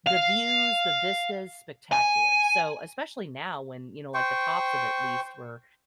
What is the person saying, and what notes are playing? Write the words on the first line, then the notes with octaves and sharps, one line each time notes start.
the views, the vista's spectacular. So especially now when, you know, like the tops of at least were
F5
G#5
C5 G5 C#6